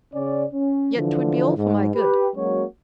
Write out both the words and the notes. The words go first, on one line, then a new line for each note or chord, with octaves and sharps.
Yet 'twould be all for my good.
C#3 C#4 D5
C#4
D3 E3 F3
G#2
G4 B4
F#3 G#3 A#3 C#4 F#4 C#5